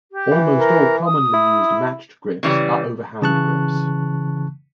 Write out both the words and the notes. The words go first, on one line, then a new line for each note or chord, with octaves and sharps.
Almost all commonly used matched grips are overhand grips.
G4
E3
A#4
D#6
E4
C#3 E3 G3
C#3 E3 A5 C#6 F#6